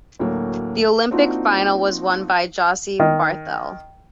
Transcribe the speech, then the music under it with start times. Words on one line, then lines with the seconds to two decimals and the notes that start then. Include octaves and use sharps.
The Olympic final was won by Josy Barthel.
0.19 D2 A2 F#3 A#3 C#5
1.11 A#3 C4 D4 D#4 F4 F#4
3.00 D#3